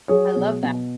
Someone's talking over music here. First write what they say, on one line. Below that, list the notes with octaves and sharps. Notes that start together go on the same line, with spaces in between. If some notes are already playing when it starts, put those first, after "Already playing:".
I love that.
F#3 G#4 C#5
B2
B2